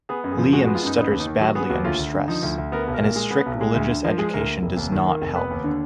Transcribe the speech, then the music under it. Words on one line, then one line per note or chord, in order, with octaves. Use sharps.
Liam stutters badly under stress, and his strict religious education does not help.
B3 G#4
F#2
G#4
F3
G#3 F#4
F#4
B3
F4
F#2 D#4
B3 D#4
D#2
D#4
D#3
F#3 F#4
B3 G#4
D#2 F#4
D2 F4
D2
D3
F3 D#4
D2
D2
B3 A#4
B1
A#4
A#2
G#3
B3
B1
G#3
D2
D3
F3 A#4
G#3 G#4
D2 A#4
A#3
F1
D#2
D#3
A#3
F1
B3 B4
D#2
D3